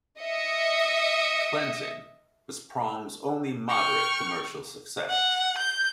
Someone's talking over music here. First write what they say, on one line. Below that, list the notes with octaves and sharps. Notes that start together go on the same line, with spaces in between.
"Cleansing" was Prong's only moderate commercial success.
D#5 E5 D#6 C#7
G5 C#6 F6
F#5
G6